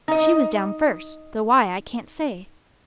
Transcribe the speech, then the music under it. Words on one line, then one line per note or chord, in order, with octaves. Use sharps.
She was down first, though why, I can't say.
D#4 D#5